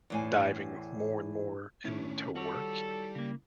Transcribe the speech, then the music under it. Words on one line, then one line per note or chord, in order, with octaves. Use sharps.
diving more and more into work
E2 A2 G#5
A2 D#3 C#4 D4 E4
G3 F#4 A4 C#5
C#3 A#3